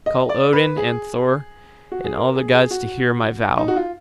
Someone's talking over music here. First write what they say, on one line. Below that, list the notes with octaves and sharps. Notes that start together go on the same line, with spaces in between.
I call Odin and Thor and all the gods to hear my vow.
D#5
D5
B4
G#4
F#4
G#4
A#4
G#4
G#4
F#4
D#4
F#4
F4